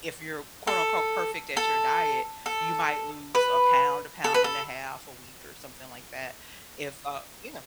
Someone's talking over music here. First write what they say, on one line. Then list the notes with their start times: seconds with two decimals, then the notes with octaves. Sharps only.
if you're, quote, unquote, 'perfect' at your diet, you might lose a pound, a pound and a half a week or something like that, if, uh" Yeah,
0.67 A4
1.57 A4
2.46 A4
3.35 B4
4.24 A4
4.34 B4
4.44 A4